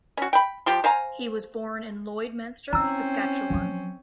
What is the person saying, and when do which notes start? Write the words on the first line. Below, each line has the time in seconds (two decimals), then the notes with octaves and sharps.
He was born in Lloydminster, Saskatchewan.
0.17 C#4 F#4
0.33 G5 B5
0.66 F3 G4 C6
0.84 C5 F5 G#5 A#5
2.73 C4 C#4 E4 A#5 E6
3.50 F3 F#3